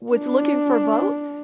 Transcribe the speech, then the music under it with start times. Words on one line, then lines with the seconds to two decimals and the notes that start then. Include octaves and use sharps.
was looking for votes?
0.12 D4